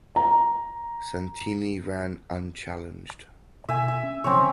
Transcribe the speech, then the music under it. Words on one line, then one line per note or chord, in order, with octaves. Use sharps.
Santini ran unchallenged.
A#5
B2 E5 G#5
E5
C#4
C3 F3 F#3 C4 C#4 C#5
D1 D3